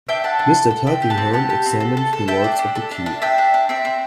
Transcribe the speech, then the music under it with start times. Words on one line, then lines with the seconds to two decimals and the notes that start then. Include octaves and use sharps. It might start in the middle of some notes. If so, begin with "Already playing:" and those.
Mr. Tulkinghorn examined the wards of the key.
0.09 D4 E5 G5
0.24 D4 F#5 A5
0.39 D4
0.55 A4
0.70 A4
0.86 C4 E5 G5
1.02 G4
1.10 F#5 A5
1.18 C4
1.33 G4 F#5 A5
1.49 G4
1.66 C4
1.80 A4
1.97 A4
2.13 A4
2.28 A4 E5 G5
2.44 D4
2.59 D4
2.75 A4
2.91 D4
3.06 D4
3.22 D4 E5 G5
3.38 D4
3.54 D4
3.69 C4 E5 G5
3.85 C4